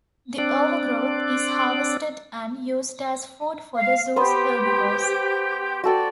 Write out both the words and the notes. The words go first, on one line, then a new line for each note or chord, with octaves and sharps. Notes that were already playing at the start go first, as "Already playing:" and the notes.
The overgrowth is harvested and used as food for the zoo's herbivores.
C4 D4 D5
F5
B3 G4 B4 C5
F#4 A4 D5 G5